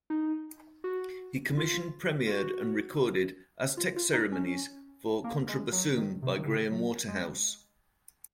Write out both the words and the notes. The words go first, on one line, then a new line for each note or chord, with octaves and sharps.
He commissioned, premiered and recorded "Aztec Ceremonies" for contrabassoon by Graham Waterhouse.
D#4
F#4
F4
F4
F#4
F4
F4
D#4
C#4
A#3
G#3
F#3
D#3
C3
D#3
C#3
F#3
G#3